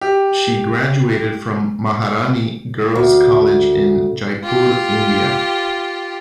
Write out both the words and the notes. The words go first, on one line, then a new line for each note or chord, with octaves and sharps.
She graduated from Maharani Girls college in Jaipur, India.
G4
D2
F4 G4